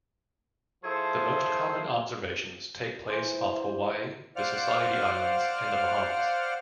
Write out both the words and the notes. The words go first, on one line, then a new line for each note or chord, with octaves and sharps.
The most common observations take place off Hawaii, the Society Islands, and the Bahamas.
F3 E4 G#4 A4 C5
E3 C5
C5 D5 F5 F#5 F6